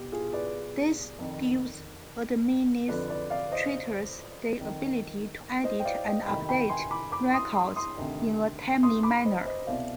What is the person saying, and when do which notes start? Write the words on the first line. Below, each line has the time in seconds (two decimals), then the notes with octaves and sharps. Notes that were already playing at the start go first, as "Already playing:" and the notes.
This gives administrators the ability to edit and update records in a timely manner.
Already playing: B2 G4
0.12 F4 G#4
0.33 B4 D5
1.19 F2 D#3
2.88 F2 D3 F3 B4 D5
3.10 B4 D5
3.30 D5 F5
3.52 C5 D#5
4.58 F2 D#3
5.64 C5 D#5
5.80 G5
5.85 D5 F5
6.06 D#5 G5
6.27 F2 C3 D#3 G5 B5
6.49 G5 B5
6.70 G#5 C6
6.91 B5 D6
7.12 B5 D6
7.34 C6 D#6
7.55 C6 D#6
7.76 C6 D#6
7.97 D2 C3 D#3
8.83 C6 D#6
9.03 B5 D6
9.25 C5 D#5
9.46 C5 D#5
9.67 C2 B2 D5 F5